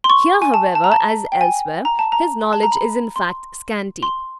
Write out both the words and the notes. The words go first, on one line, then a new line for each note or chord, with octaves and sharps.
Here, however, as elsewhere, his knowledge is in fact scanty.
C6
C#6
G#5
A5
A5
A#5
A5
G5
G#5
A#5
A5
A#5
A5
A#5
B5
C6
C6